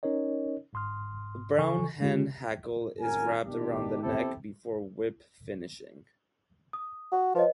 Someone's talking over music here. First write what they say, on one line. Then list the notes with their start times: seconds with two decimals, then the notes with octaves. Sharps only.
A brown hen hackle is wrapped around the neck before whip finishing.
0.03 C#4 D#4 A#4 C#5 D#5
0.73 G1 G#2 C6 D#6 F6
1.58 C#3 E3 A4 G#5 C#6
2.00 D3 G#3 C#4 F4 G4
3.01 G#1 F#2 A#4 G#5
3.45 B2 D#3 D4 G4
4.02 B3 C4 E4 G4 A4
6.73 D#6
7.12 F#4
7.35 F3 B4 C#5 D#5